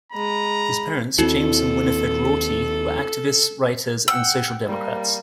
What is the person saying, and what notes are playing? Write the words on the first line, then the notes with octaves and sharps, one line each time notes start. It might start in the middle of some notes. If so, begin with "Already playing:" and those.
His parents, James and Winifred Rorty, were activists, writers and social democrats.
G#3 A#5 B5
D#2 B3 C4 E4 F#4 A4
F#5 G5 E6
G3 A#3